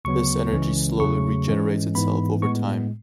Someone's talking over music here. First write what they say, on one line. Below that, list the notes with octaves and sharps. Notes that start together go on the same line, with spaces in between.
This energy slowly regenerates itself over time.
D2 C#3 F#3 B3 C#6
C#2 C#3 E3 G#3 C#4
E2 C#3 F#3 A3 C#6
G#2 E3 G#3 C#4
G#2 E3 B3 B5
A2 G#3 B3 C#6